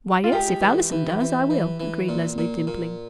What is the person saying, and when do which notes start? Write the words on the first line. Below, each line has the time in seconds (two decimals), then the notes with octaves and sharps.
"Why, yes, if Allison does, I will," agreed Leslie, dimpling.
0.24 F4
0.32 G#3 G4
0.62 E3
0.92 E3
1.21 E3
1.50 E3
1.80 E3
2.09 A#2
2.38 A#2
2.67 A#2